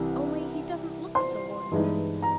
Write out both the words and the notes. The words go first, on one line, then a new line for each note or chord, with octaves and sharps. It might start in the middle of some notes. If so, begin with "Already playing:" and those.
Only he doesn't look so ordinary.
Already playing: C2 C3 E3 G3
C5 C6
G2 E3 G#3 B3 D#4
A#5